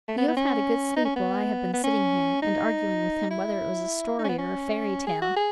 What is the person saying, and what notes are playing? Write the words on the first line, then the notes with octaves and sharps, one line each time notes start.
"You have had a good sleep while I have been sitting here, and arguing with him whether it was a story or a fairy tale."
A3
B3
B3
C#4
D#4
C#4
B3
B3
C#4
D#4
E4
D#4
C#4
B3
C#4
G#4
F#4
G#4